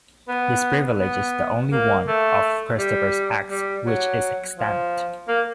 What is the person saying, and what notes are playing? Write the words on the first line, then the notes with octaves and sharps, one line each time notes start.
This privilege is the only one of Christopher's acts which is extant.
B3
B3
A#3
A3
G3
G3
F#3
F3
A#3